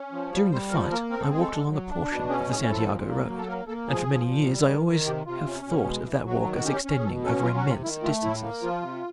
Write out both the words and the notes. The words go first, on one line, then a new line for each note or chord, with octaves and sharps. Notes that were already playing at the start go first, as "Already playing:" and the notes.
During the fight I walked along a portion of the Santiago road, and for many years I always have thought of that walk as extending over immense distances.
Already playing: C#4
F3
G3 C#5
G3 C5
F3 A#4
A#3 A#4
C4 A#4
A4
G#3 G#4
A4
D3
F#3
D4
B2
C#4 G#4
A2 G#4
F3 A4
A#2
A#3
F#3
A4
A#3 A#4
A#3 A4
F3 G#4
F3
A#2
G3
D#3
D#3
C3 G4
C3 F4
C#4
B2
G#3
E3
F#3 F#4
D#3
F#4
C#4 G4
C#4
G#4
B2 A4
C#4 A4
F#3 F4
F#4
C3
F4
D#3 E4
A3 F4
A2 E4
A#3
F3 F4
C3